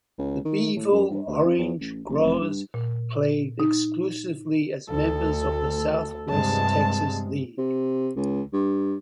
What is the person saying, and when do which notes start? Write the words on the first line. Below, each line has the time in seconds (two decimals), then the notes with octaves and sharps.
The Beeville Orange Growers played exclusively as members of the Southwest Texas League.
0.19 C#2
0.45 D#3
0.76 A2
0.92 F#2
1.11 G2
1.28 D2
1.45 F2
1.58 E2
1.80 A1
2.09 F#1
2.25 F1
2.41 G2
2.74 A#2
3.60 D#4
4.91 D2 A4
6.30 G2 C3 G#3 A5
7.58 C3
8.16 C#2
8.53 G2